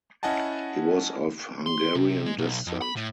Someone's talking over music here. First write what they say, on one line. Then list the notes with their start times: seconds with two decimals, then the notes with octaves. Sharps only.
He was of Hungarian descent.
0.23 C#4 E4 D#5 F#5 G#5 A5
1.66 C6
1.95 C3
2.26 G#3
2.38 B1
2.67 F2
2.82 B5
2.96 A2